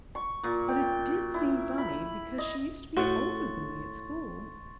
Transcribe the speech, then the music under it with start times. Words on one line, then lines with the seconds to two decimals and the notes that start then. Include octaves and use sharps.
"But it did seem funny, because she used to be older than me at school."
0.15 C#6
0.44 A#2
0.68 G5
1.34 E4
1.78 B5
2.38 D#5
2.97 A2 F#4 C6 C#6 A6